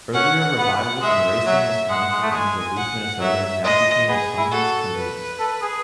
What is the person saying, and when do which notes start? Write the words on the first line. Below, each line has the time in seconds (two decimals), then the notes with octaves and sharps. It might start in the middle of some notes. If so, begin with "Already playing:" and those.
Earlier revivals in Racine, Wisconsin, and Duluth, Minnesota, now became autonomous communes.
0.14 C#4 F#5
0.57 B3 F#5
1.01 G#3 E5
1.45 F#3 E5
1.89 G#3 F#5
2.11 G#3
2.22 A3
2.32 G#3 G#5
2.77 F#5
3.20 F#3 E5
3.64 G#3 D#5
4.08 B3 G#4
4.38 E4
4.52 F#4 A4
4.96 B4
5.40 A4
5.62 G#4